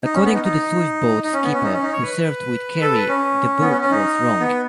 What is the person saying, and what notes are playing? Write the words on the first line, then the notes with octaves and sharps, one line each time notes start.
According to the Swiftboat skipper who served with Kerry, the book was wrong.
D#4
C#4
B3
D#4
D#4
D#4
C#4
B3
C#4
D#4
C#4
D#4
C#5
B4
A4
B4
C#4
B3
C#4
C#4
D#4
B3